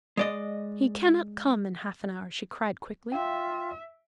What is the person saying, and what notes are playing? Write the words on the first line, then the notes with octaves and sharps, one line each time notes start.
"He cannot come in half an hour," she cried quickly.
G#3 D5 D#5
F4 E5 F5 G5